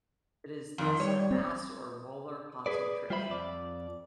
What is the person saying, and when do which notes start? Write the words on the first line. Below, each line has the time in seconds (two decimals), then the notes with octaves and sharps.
It is thus a mass or molar concentration.
0.78 F2 D#3
1.00 G3 C#5
1.31 C4
2.66 G#4 B4 D5
3.10 G3 F4 C5 E5 B5
3.29 F2 D5